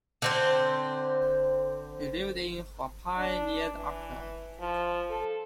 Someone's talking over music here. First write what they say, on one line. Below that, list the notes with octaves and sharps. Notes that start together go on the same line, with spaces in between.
He lived in Huapai near Auckland.
D3 C4 C5
D4
E3
F3
A4